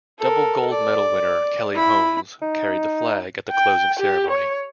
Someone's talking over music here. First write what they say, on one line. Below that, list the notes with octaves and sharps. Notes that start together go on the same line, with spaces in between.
Double gold medal winner Kelly Holmes carried the flag at the closing ceremony.
A4 A#4
D5
E4 B5
D#4
G5
G4
C#5